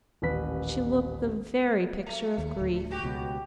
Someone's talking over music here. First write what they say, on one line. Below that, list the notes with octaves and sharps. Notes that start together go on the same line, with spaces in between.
She looked the very picture of grief.
D#1 A1 B4 B6
A3
D#2
D1 D2
F#4 G4
C#2 B2